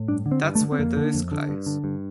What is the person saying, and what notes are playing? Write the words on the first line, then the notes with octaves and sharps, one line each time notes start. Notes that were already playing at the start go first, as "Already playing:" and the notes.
That's where the risk lies.
Already playing: A2
G2 D4
D3
C4
G2
A3
D3
C4
F2 A#3
D3
F2
D3
G2
D3
G2